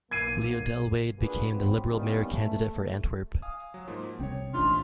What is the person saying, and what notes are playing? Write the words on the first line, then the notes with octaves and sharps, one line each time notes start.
Leo Delwaide became the liberal mayor candidate for Antwerp.
B1 A#3 G#6 C7 D#7
A#3 D4 F4 F#4 G#4 B4
D3 F3 F#3 B3 C4
D#3 G3 A#3 B3 C#4
A3
F5 G#5 D#6
F#3
G#2 F3 A#3
C2 C3 C#4 C#5 G5
A1 G#2 C3 F3 D4 F4